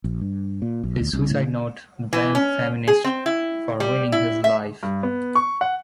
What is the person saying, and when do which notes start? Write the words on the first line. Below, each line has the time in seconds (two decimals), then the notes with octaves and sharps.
His suicide note blamed feminists for ruining his life.
0.04 A#1
0.21 G2
0.62 A#2
0.84 B1
1.01 D2
1.13 C2
1.31 A2
2.13 E3
2.35 C#4
2.88 G#4
3.04 C4
3.26 E4
3.80 G3
4.12 E4
4.44 E5
4.83 G2
5.03 B3
5.35 C#6
5.61 F#5